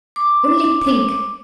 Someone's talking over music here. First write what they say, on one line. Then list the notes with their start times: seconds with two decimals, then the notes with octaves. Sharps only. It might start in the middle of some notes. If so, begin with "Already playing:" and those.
Only think!
0.16 D6